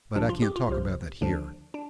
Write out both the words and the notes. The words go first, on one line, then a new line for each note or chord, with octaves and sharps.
But I can't talk about that here.
C2 C3 F3 D4
F4
G4
F4
C2 C3 F3
D2 D3 F3 D4
D4